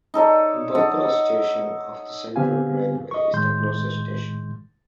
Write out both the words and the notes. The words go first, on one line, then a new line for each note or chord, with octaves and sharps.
Byculla station of the Central Railway is the closest station.
D#4 A4 C#5 D5
A4 C#5 D#5 F#5
D3 B3 C4 G4 F5 G#5
D#5 C#6
A2 D#3 G#3 C6 G6